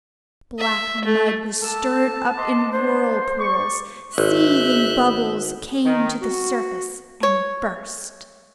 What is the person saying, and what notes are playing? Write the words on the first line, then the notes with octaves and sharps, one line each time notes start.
Black mud was stirred up in whirlpools; seething bubbles came to the surface and burst.
E5
A3
A#3 A4 A5
D#5 C6 D6
B3 D4 C5
D5 C#6
G#1 E5 F#6 G6
D#3
F#4
C#5